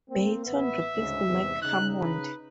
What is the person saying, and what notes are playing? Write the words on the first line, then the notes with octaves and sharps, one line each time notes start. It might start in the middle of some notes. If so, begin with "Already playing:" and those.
Beaton replaced Mike Hammond.
A#3 C4
A1 B3 E5
D2 G#2 C#3
E2 G#2 C3
C#3 D#4 F#6
B4